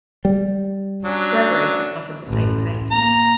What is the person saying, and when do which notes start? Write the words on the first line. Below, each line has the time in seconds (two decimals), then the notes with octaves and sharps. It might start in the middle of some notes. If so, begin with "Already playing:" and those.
"Gregory" had suffered the same fate.
0.25 G3
1.05 F#3 C#4 D4
2.26 A1 F#2
2.91 A#3 A#5